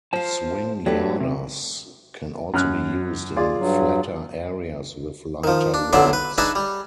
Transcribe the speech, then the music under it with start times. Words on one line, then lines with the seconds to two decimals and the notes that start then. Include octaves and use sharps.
Swing yarders can also be used in flatter areas with lighter loads.
0.13 F4 C5 F5 A5
0.86 F#3 A3 D4 G4 B4
1.20 C3
2.54 F#2 F6 F#6
3.36 F4 G#4 D5
3.58 G2 F#3
5.44 D#3 F3
5.74 D4
5.93 B1 D3 F#3 D5 E5 C6
6.13 B4
6.38 D4 D#4 G#4 B4 E5 A5
6.55 G3